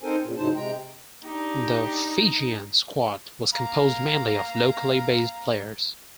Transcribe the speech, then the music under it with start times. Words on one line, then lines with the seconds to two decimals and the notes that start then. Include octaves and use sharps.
The Fijian squad was composed mainly of locally based players.
0.03 C4 D#4 A4 A#4 C5 G#5
0.23 A#2 C#3
0.37 A2 C#3 F#3 D#4 C5 A5
0.56 C3 G#3 G5 A#5
1.25 D4 D#4 G4
3.54 F5 A#5